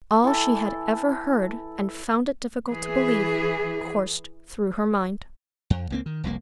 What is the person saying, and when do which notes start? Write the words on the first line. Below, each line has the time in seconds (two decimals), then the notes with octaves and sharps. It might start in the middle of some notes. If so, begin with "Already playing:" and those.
All she had ever heard and found it difficult to believe, coursed through her mind.
0.24 E3 A4
2.69 E3 G#4
5.70 F2
5.90 C#2 A#3 C4
6.06 D#3
6.24 F1 C2 A2 A#3